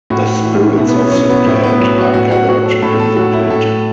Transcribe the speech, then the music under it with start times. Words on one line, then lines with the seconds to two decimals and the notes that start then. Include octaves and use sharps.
The spirits of the dead are gathered in the pit.
0.10 A2 F#4
0.43 E3
0.78 B2 E4
0.89 B3
0.95 C#4
1.11 F#3 C#4
1.29 B3
1.46 A2 E4
1.64 B3
1.80 F#3
1.98 F#4
2.14 A2 F#4
2.32 F#4
2.48 F#3 F#4
2.66 A4
2.82 A2 A4
2.99 A4
3.16 F#3 F#4
3.33 E4
3.50 A2 A4